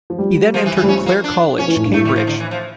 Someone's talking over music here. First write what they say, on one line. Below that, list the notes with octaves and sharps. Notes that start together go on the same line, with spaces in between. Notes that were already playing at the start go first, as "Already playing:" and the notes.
He then entered Clare College, Cambridge.
F3
G3
F3
E3
E3
G3
F3 C#4
A#3
D4
F3 C#4
E3
A2
G2
A2 A3
G3
F3
D3
E3
F3